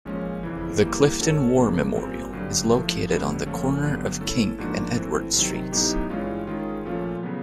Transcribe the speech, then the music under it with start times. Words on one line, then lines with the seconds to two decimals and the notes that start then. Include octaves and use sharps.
The Clifton War Memorial is located on the corner of King and Edward Streets.
0.05 A#2 F3 G#3 C#4
0.43 F2 C#3 E3
0.82 E3 G3 A#3
1.20 A3 C#4 F#4 A4 C#5
1.57 C#3 F3 A#3 D4
1.95 A#2 G3 C4
2.32 G2 D3 F#3
2.69 A2 F3 A3
3.08 F2 D3 G3 B3
3.46 A#2 F3 A3 C#4
3.83 G2 D3 F#3 B3
4.20 A3 C#4 E4 A4
4.58 G#2 F3 A#3 D4 F#4
4.96 E3 A3 C4
5.33 C3 D#3 F#3
5.72 A2 F#3 B3 D#4 G4
6.10 G2 E3 G#3 C#4 F4
6.47 D#3 G#3 C#4 F4 G#4
6.85 A#2 F3 A3 C#4 F4
7.23 C#3 F#3 B3